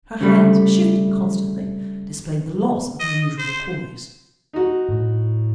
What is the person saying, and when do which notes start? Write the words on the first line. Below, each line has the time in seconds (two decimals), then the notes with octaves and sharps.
Her hands, shifting constantly, displayed the loss of her usual poise.
0.21 C#3 G3 A3
3.00 D#5
3.38 C5
4.53 D#4 F#4
4.89 A2